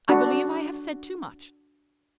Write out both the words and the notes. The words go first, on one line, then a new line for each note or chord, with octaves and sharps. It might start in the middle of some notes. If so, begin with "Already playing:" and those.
I believe I have said too much.
D4 F#4